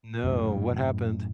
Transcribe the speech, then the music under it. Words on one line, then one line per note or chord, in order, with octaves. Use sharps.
No, what happened?
F#2 A2 C#3